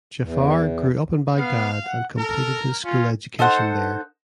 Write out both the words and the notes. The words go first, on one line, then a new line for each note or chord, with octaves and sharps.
Jafar grew up in Baghdad and completed his school education there.
E2
B3 F5
F#5
A4 A#4
C#4 F4
D#4 A4 C5 F#5